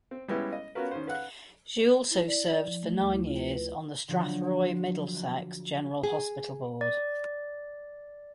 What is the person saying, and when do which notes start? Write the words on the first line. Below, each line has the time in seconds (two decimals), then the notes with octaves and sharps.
She also served for nine years on the Strathroy Middlesex General Hospital Board.
0.11 C4
0.28 G3 G#3 B3 C#4 E4
0.53 D#5
0.75 B3 C#4 F4 F#4 A#4 B4
0.91 D#3 C#4 C5
1.07 B4 F5 F#5 F#6
2.11 E4
2.28 D5
2.51 D5
2.68 F3
2.83 A3
3.00 D2
3.13 E4
3.27 F4
3.41 B4
3.54 B4
4.08 D3 F3 F#3
6.03 G#4
6.81 D5